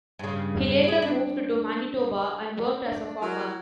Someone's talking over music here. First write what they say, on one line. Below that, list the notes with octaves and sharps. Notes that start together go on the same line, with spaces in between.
He later moved to Manitoba, and worked as a farmer.
G2 C#3
E4 G#4
D4
D4
F#3 E4 A#4